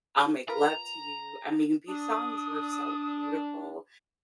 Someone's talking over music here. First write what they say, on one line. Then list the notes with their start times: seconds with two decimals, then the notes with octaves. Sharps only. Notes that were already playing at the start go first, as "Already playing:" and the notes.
I'll Make Love To You. I mean, these songs were so beautiful,
0.48 F4 A#4 B4 A#5
1.88 D4 D#6